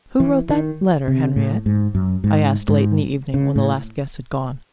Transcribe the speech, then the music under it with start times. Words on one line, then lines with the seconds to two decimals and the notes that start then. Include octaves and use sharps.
"Who wrote that letter, Henriette?" I asked late in the evening when the last guest had gone.
0.20 E3
0.49 D#3
1.08 C3
1.36 A2
1.66 G#2
1.95 F#2
2.24 G#2
2.68 G#2
3.34 C#3
3.56 A2